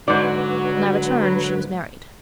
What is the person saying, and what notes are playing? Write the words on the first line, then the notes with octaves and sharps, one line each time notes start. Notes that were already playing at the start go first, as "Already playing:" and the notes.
When I returned she was married.
G#2 D3 F#3 B4 D5